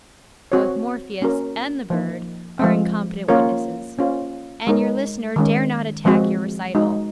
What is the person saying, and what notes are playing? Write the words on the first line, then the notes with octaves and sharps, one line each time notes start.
Both Morpheus and the bird are incompetent witnesses; and your listener dare not attack your recital.
C4 F#4 C#5
A#3 C#4 F#4 A#4 C#5
F3 A#3 D#4
F3 G#3 C4
A#3 C#4 F4 A#4 C#5
A#3 C#4 F4 C5
G#3 D#4 A#4 C#5
D#3 G#3 C#4
F3 G#3 C4 F#4
G#3 D#4 F#4